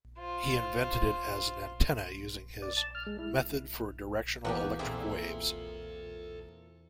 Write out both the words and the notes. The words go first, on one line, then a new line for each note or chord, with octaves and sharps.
He invented it as an antenna using his "method for directional electric waves".
F4 C5
D5
A5
F6
G#3
E4
E2 A#3 B3 F#4 G4
A#2 G#3 C4 E4 G#4 A4 C5 E5